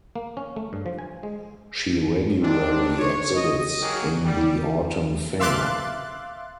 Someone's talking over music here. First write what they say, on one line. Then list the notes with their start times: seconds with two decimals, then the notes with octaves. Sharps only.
She regularly exhibits in the Autumn Fair.
0.15 A#3
0.37 C#4
0.56 A3
0.73 G2
0.86 F3
0.99 G#5
1.23 G#3
2.42 G#2 C4 D4
2.98 C#5
3.34 D#5
3.81 D#3 F#3 A#3 G#4
4.23 G3
5.40 E5 F5 C6 D6 F#6 A6